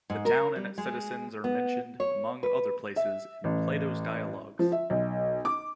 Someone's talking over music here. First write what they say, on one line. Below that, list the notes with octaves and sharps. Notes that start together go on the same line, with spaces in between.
The town and its citizens are mentioned, among other places, in Plato's Dialogs.
G#2
A#4
G3
G#3
B3
C#5
B4
E5
A1
F3
E5
B1
D6